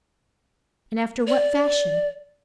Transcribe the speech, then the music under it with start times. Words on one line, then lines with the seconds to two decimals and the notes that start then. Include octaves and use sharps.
"And after what fashion?"
1.27 D5